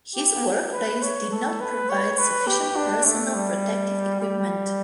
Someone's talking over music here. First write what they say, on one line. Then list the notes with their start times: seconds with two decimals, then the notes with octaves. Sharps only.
His workplace did not provide sufficient personal protective equipment.
0.15 G4
0.73 B4
1.02 C#5
1.31 A4
1.61 B4
1.90 C#5
2.19 B4
2.47 G4
2.76 D4
3.05 A3
3.34 G3
4.21 G3